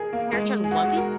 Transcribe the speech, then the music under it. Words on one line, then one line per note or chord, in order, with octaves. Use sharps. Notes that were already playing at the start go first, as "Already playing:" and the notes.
character in One Pi
Already playing: G#4 A#4
A#3
G#3
G#4
F#4
F#4
A#4